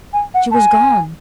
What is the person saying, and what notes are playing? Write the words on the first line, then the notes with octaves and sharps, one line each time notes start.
She was gone.
G#5
F#5
A5
G#5